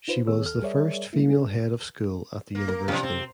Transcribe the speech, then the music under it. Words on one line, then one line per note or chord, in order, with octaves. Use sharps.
She was the first female Head of School at the university.
D#4 F4 B4 C5
D#3 B3 G#4 C#5 E6
D#2 A4 F6
G3 G#4 A#4 C#5 D5 E5
G3 G#3 A#3 E4
D4 G#4
A#3
A#4
F#2 C3 F3 F5
C4